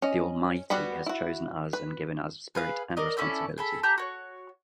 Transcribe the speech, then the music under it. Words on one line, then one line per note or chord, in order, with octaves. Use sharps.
The Almighty has chosen us and given us spirit and responsibility.
C#4 D#5
G3 B3 F#4 B4 B5
E4 F#4
B4
G#4 B4 F5
A#4 D5 D#5
C#4 E4 A4 D5
G#4 A4 B5
G4 A5 A#5 G6
F#4 C#5